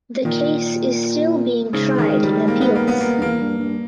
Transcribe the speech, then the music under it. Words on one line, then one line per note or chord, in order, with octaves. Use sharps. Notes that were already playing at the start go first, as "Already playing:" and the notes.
The case is still being tried in appeals.
A#2 D#3
G#2 C#3
D#3
G3
A#3
B3
A#3
B3
A#3
G2
E2 A#3
G2
G2